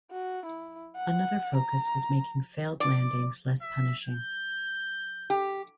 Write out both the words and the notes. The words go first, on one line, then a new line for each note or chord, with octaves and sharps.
Another focus was making failed landings less punishing.
F#4
E4
F#5
A#5
D5
E5
G6
G4